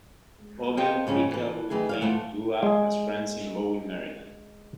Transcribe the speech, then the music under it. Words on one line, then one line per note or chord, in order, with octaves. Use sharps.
Auville, Bickel, and Flaim grew up as friends in Bowie, Maryland.
G4 A4 C5 D#5 F5 G5
G#2 C#3 F3 C#4
E3 A4
D#3 E3 A3 G#4
F#3 D5 F5
E3 A3 B3 F4
G#3 G#4